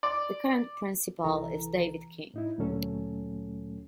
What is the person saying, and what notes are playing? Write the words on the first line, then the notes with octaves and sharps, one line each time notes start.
The current principal is David King.
D5
C2 E3 A4 A#5
A2 D#4 E4
D2 A#2 F#3 A3 C#4 A4